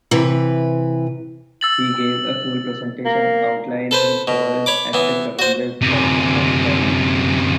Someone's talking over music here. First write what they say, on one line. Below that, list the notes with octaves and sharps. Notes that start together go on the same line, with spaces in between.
He gave a full presentation outlining his goals at the Commonwealth Club of California.
C3 E3 B4
E6 A6 F#7
A#3
A4 B4 C5
B2
C#5 B5 D6
E3 B3
F#4 C5
F#2 C3